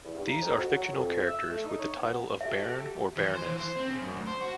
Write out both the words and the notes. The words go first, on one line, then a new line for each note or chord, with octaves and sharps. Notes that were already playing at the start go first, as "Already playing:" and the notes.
These are fictional characters with the title of "baron" or "baroness".
E2
G2
A#5
F2
F#4
F#3
F2
E6
A3
D#4
C#5
B3
F#4 G4 A4 E5
E3
C5
E3
C5
C4
C#3
F#2
D2
C5
F#4